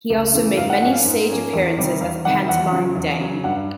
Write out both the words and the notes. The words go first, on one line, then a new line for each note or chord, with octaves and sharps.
He also made many stage appearances as a pantomime dame.
C#2
C#3 E3 A3
G#2 F5
F#5
F3 A#3 C#4 F#5
F5
G#2
F3 A#3 C#4
E2
C3 D#3 G3
E2 F5
C3 D#3 G3 F#5
E2 F#5
C#3 F#3
E2
C#3 F#3
G2 F#5